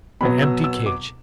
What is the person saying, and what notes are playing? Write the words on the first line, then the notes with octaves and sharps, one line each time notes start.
An empty cage!
B2 F#3 B3 B5
E6
E6
D6